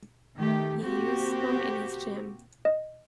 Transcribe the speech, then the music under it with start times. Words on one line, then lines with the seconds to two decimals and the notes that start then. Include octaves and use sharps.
He used them in his gym.
0.37 D#3 A3 G4
0.83 A#3 C4 F#4 G4
2.65 D#5